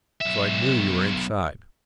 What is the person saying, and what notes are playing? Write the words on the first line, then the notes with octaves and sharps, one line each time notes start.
So I knew you were inside.
B1 E5